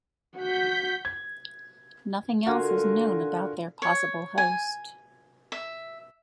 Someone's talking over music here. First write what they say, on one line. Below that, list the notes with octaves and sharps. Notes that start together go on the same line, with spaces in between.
Nothing else is known about their possible host.
F#4 F#5 G6 B6
G#6
D3 F4 F#4 A#4 G#5
C#5
G#5
E5